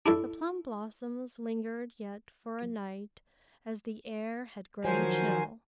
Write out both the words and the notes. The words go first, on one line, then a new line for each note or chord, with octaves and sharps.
The plum-blossoms lingered yet for a night as the air had grown chill.
D4 E4 A4
D#3 F3 F#3 F#4 A#4 C5 G#5